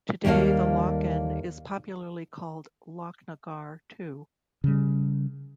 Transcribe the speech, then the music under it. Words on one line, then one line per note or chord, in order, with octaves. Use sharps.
Today the lochan is popularly called Lochnagar too.
D#2 G3 A#3 A4 F5
C#3 G3